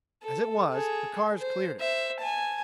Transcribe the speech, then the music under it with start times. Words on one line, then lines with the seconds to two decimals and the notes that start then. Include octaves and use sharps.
As it was, the cars cleared it.
0.23 A4
0.73 G#4 A4
1.39 C5
1.80 C5 E5
2.20 G#5 A5